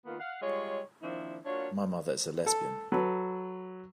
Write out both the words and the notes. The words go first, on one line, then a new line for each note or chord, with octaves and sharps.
My mother is a lesbian.
D#3 A#3 B3 F4
F5 F#5
G3 G#3 F4 C#5
D#3 F3 A#3 C4 D4 E4
A#3 D4 F4 F#4 C#5
A4
F#3 A4 B4